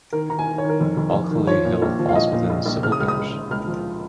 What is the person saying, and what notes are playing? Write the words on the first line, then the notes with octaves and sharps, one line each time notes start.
Bulkeley Hill falls within the civil parish.
D#3 A#4
D#3 A#5
G#5
D#3
C#5
D#3
A#4
F2
F2
F2
D#3
F3 C#5
A#2
A#1
F3
F5
A#1 D#5
A#2
A#1
A#1
C#3 F6
D#6
C#2 F6
D#6
C#2
C#3
C#2 F6
F3